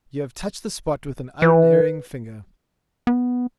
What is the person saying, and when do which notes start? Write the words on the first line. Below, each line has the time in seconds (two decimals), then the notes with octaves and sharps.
'You have touched the spot with an unerring finger.
1.42 E3 B4
3.07 B3